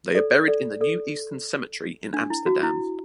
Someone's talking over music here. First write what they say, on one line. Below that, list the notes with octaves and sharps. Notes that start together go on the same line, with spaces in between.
They are buried in the New Eastern Cemetery in Amsterdam.
A4 D5
A4 D5
A4 D5
D4
E4
F#4
E4